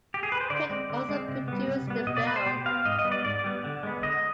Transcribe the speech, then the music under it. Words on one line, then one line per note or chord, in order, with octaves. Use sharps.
Pitt also produced the film.
G4
G#4
B4
C5
D3 D5
G#3 C4
D3
G#3 C4
C3
G3 B3
C3
G3 B3
B2 D#5
D5
B3 B4
C5
B2 G4
B3 F5
G#2 D#5
D#5
G3 B3
D5
G#2 D5
G3 B3
D3
G#3 B3
D3 D#5